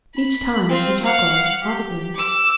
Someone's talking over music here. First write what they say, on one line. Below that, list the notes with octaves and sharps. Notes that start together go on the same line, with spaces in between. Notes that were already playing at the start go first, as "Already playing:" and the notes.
Each time he chuckled audibly.
B5
C4 F4
F5 F#5
G4
D6 E6